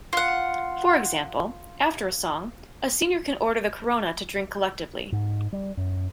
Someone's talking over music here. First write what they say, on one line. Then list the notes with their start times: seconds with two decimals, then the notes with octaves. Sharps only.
For example, after a song, a senior can order the corona to drink collectively.
0.13 F4 F#5
5.12 G#2
5.53 G3
5.77 F#2